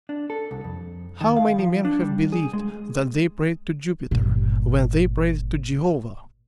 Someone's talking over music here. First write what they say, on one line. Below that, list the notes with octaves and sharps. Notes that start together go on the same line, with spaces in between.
How many men have believed that they prayed to Jupiter, when they prayed to Jehovah!
D4
A4
C2
F2
D#3
F5
F3
D4
G3
G#4
G#3
G1 A#2